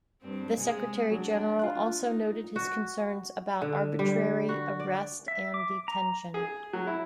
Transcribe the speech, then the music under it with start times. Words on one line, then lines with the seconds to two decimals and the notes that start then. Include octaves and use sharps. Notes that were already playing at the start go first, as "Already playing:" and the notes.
The Secretary-General also noted his concerns about arbitrary arrest and detention.
0.22 G2 C4
0.58 C3 G#3 G#4
1.11 F#3 D4
1.59 F4 F#6
1.98 D#4
2.56 F#4
3.62 D3
3.99 G3
4.49 F#4
4.80 D5
5.28 E5
5.54 D6
5.88 A#5
6.34 G#4
6.73 F#3
6.87 E4